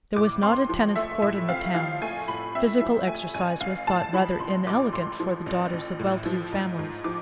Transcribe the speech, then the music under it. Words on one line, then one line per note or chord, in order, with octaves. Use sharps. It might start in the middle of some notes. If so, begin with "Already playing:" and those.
There was not a tennis court in the town; physical exercise was thought rather inelegant for the daughters of well-to-do families.
A2 D6
C4 C6
F3
A3 E5
A2 E5
C4 F5
F3 F5
A3 G#5
A2 B5
C4 E5
F3 E5
A3 G#5
A1 G#5
A1 F5
A2 A5
F3 B5
A1 C6
A1 D6
A2 C6
F3
A1
A1
A2
F3
G#2
G#2
F3 D6